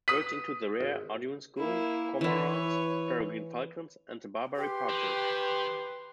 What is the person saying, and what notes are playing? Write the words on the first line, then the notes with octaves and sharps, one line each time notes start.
Birds include the rare Audouin's gull, cormorants, peregrine falcons and the Barbary partridge.
B4 D#6 B6
G#1
A#3 E4
E3 E4 B4 C#5
G4 B4 C6
D#3